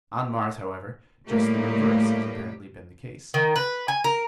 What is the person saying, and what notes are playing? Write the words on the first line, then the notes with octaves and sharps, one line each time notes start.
On Mars, however, just the reverse has apparently been the case.
A2 G3 A3 A#3 G4
D#3
B4
G#5
A#4